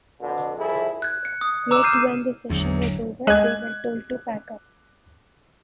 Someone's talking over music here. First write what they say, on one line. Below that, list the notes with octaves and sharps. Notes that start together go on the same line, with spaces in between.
Yet when the session was over, they were told to pack up.
F2 B2 D3
C2 F2 E4 G#4
F#6 G#6
C#7
D#6
A#5 D6 E6 E7
F6 G6 C7 D#7 E7
G#1 E2 G#2 D3 F#3
G#3 D#5 F#6 G#6